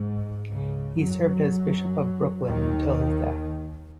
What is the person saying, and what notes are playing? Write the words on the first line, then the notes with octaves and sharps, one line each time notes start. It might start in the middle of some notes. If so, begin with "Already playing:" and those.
He served as Bishop of Brooklyn until his death.
Already playing: G#2
C#2 C#3
F#2 F#3
D#2 D#3